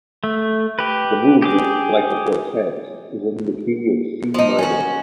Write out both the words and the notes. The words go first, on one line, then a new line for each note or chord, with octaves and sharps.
The movement, like the quartet, is in the key of C minor.
A3
G4 B4
G4 G#4 D6
F3 D#4
C#4 F#4